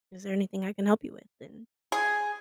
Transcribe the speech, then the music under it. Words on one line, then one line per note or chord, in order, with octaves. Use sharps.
Is there anything I can help you with, and"
G#4